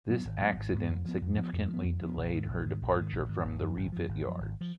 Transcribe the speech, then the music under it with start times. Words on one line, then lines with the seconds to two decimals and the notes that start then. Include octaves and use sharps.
This accident significantly delayed her departure from the refit yards.
0.10 G#2 F#3 B3
0.25 G#1
0.41 G#2 F#3 B3
0.57 G#1
0.74 G#2 F#3 B3
0.89 F2
1.05 F3 B3
1.21 F2
1.37 F3 B3
1.53 F2
1.69 F3 B3
1.84 F2
2.01 F3 B3
2.17 A#1
2.34 G#2 D#3
2.49 A#1
2.65 G#2 D#3
2.81 A#1
2.96 G#2 D#3
3.13 A#1
3.29 G#2 D#3
3.45 G#1
3.61 F#2 F3
3.76 G#1
3.92 F#2 F3
4.09 G#1
4.25 F#2 F3
4.40 G#1
4.61 F3